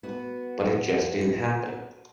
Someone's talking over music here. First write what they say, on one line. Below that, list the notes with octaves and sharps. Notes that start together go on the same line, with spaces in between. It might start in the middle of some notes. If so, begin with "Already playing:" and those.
But it just didn't happen.
B3 F#4